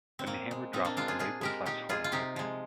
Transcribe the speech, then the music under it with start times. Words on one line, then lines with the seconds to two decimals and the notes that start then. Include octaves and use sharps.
When the hammer drops the Lebel slaps hard on both ends.
0.19 C4
0.27 A#2 A#3
0.51 G#3
0.73 A#2 C4 D#4
0.85 A#3 D4
0.97 G#3 D4 F4
1.08 F4 G#4
1.19 A#2 F4 G#4
1.41 G#3 G4 A#4
1.66 A#2 D#4 G4
1.89 G#3 F4 G#4
2.04 F4
2.12 C3 D#4 G4
2.36 F3 G#3